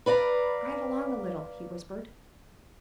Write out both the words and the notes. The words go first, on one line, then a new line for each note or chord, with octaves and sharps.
"Drive along a little," he whispered.
B4 D5 F5 A#5